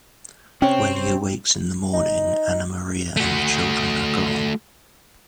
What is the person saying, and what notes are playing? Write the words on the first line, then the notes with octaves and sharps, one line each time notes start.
When he awakes in the morning, Ana Maria and the children are gone.
C3 C4 C#4 C#5 G5
D#4
A3 F#4